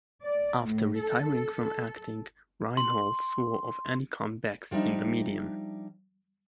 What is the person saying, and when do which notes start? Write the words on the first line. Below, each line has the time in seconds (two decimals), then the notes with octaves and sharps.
After retiring from acting Reinholt swore off any comebacks in the medium.
0.23 D5
0.64 A2
0.98 A4
2.77 C6
4.71 F3 G3 D4 D#4 E5